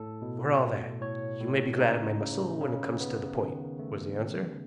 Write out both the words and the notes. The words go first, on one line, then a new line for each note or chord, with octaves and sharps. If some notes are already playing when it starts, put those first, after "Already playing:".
"For all that, you may be glad of my muscle when it comes to the point," was the answer.
Already playing: A2 A4
B2
A3
A2 C#5
A2
C#3 D#4
C#3
C#3
B3
D#3
A3